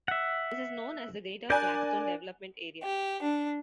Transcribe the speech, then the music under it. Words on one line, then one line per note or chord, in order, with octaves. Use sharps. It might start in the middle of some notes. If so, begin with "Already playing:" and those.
This is known as the Greater Flagstone development area.
E5 F#5
D4 A#4 D5 G#5 F#6 G6
G4
D4